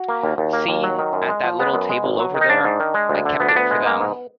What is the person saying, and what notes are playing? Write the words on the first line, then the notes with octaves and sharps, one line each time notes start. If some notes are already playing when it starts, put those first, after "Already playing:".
See, at that little table over there? I kept it for them.
Already playing: F#4
A#3
D#2
D#2
A#3
D#2
F#3
D#3
F#2
G#3
F3
G#3 B3
F#2
G#3
G#1
F#3
D#3
D#4
G#2 D4
G#2
D#3
G#3
D2
D3
D2 B3
D4
D2 B3
G#3
A#3
G#2